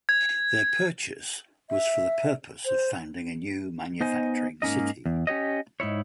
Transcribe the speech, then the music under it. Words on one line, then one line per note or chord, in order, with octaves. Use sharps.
Their purchase was for the purpose of founding a new manufacturing city.
G#6
E5
C5
B3 D#4 C5 D#5 G#5
G#2 A#3 C#4 D#4 D#5
E2
C#4 G4 C#5 D#5
G#2 D#4 E4 C#5